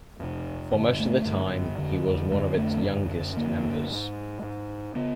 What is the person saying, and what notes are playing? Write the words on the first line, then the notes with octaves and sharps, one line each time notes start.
For most of the time, he was one of its youngest members.
F2 C3
G2 D3
A3
G2 D3
F2 D3
F2 D3 G#3
A3
F#2 D3
F#2 D3 A#3
G#2
G#2
C#3 B3